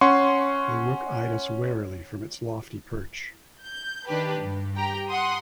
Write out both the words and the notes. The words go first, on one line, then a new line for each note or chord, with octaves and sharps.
The rook eyed us warily from its lofty perch.
C#4 F#5 C6 C#6
G6
D#3 D4 G4 B4
G2
G4 G5 A#5
F#5 C6 D#6